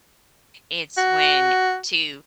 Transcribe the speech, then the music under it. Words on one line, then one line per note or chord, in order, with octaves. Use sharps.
It's when to
F#4